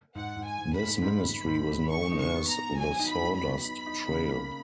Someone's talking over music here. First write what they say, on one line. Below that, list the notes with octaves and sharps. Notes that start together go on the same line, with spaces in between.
This ministry was known as "The Sawdust Trail".
G#2 F#5
G#2
G#5
G#2
B5
G#2
G#2 B5
G#2
G#2
G#2
D#4 C#6
D#4
C#6
B3
A#5
B3
F#3 G#5
D#4
B5
F#3
B5
B3
D#4
D#4
C#3
A#3